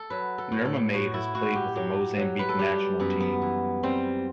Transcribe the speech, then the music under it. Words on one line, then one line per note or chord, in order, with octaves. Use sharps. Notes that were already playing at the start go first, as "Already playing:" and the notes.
Nurmamade has played with the Mozambique national team.
Already playing: A4
F#3 B4
A4
A2
A4
A2 F#4
E4
A2 F#4
G4
F#3 G4
F#3
B4
A4
G3 G4
F#2 B3
B3
E3
G3 C4